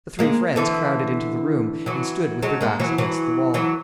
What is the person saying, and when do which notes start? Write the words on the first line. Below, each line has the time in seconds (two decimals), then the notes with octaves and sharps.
The three friends crowded into the room and stood with their backs against the wall.
0.19 G#3 A#3
0.56 D3 E3
1.86 E3 F#3
2.42 F#3 G#3
2.61 G#3 A#3
2.80 E3 F#3
2.98 E3 F#3
3.54 E3 F#3